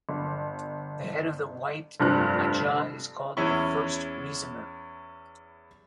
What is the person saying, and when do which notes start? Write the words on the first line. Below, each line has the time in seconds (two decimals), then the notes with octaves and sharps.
The head of the White Ajah is called the First Reasoner.
0.09 G1
2.00 F1 G2 F3 F#6
3.37 E2 C#4 E4 C#6